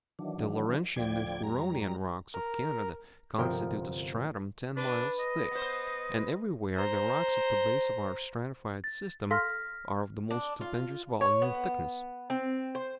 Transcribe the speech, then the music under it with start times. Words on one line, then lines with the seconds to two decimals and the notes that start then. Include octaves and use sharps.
The Laurentian and Huronian rocks of Canada constitute a stratum ten miles thick; and everywhere the rocks at the base of our stratified system are of the most stupendous volume and thickness.
0.19 D#3 E3 F#3 D4
0.96 D2 A2 F3 D5 G5 G#6
1.43 F2 G3 A#5
2.34 A#4
3.38 G1 C2 F3 A#4 G5
4.77 D4 B4
5.20 D#5
5.51 B3 C5
6.77 C5 A#5
8.84 A6
9.31 A4 F5 C6 F6 A#6 B6
10.31 D4
10.61 F4
11.21 C#5
11.42 B3
12.30 C4
12.75 C5